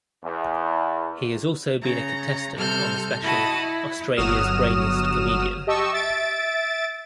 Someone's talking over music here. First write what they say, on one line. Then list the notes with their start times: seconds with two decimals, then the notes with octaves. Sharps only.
He has also been a contestant on the special "Australia's Brainiest Comedian".
0.23 E2
1.82 C#3 A#5
2.56 C3 G3 A4 F6 G6
3.23 E4 F#4 D#5 A5 B5 D#6
3.59 E4
4.16 G1 F#3 F#4 D#6 F6 E7
5.67 G4 D#5 A5 C#6 E6
5.92 E5 A6 D7